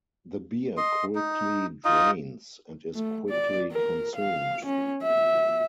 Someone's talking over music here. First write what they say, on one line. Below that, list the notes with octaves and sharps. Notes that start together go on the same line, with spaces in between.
The beer quickly drains, and is quickly consumed.
D#5 C6
D#4
D#4 F4 D#5
A3
D5
A#4
F5
C#4
E5